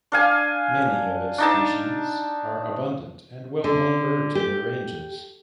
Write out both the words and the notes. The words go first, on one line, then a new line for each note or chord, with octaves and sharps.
Many of its species are abundant and well-known birds in their ranges.
D4 F5 G#5
D4 D#4 A5
D3
G4